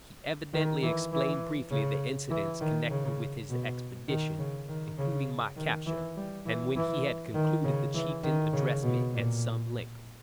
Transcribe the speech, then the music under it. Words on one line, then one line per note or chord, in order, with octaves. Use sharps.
He evidently explained briefly the incidents connected with his expedition, including my capture, and when he had concluded the chieftain addressed me at some length.
D#3
E3
E3
C#3
E3
D#3
C#3
B2
D#3
C#3
D#3
C#3
D#3
E3
G3
E3
E3
D#3
C#3
E3
D#3
C#3
B2
A#2